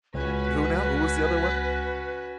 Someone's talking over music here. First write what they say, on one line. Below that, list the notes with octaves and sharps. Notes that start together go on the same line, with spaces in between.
And who now? Who was the other one?
C#2 C#4 F#4 B4